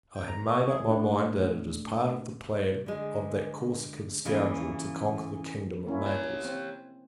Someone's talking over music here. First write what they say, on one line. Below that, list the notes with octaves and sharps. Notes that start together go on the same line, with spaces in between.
I have made up my mind, that it is part of the plan of that Corsican Scoundrel, to conquer the kingdom of Naples.
G5
A#5
F#4
G#4
A#2 A3 D4
D3 G#3
C#3 E3 A3 A#3
A#3 C#4 E4
G4 C#5
C4